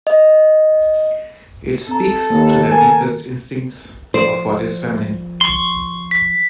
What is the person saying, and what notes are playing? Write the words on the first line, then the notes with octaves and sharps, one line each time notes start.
It speaks to their deepest instincts of what is feminine.
D#5
C4 A4 A#5
D#2 D#3 A#3
A#4 G#5
F3 C5 D5
C6 C#6
B6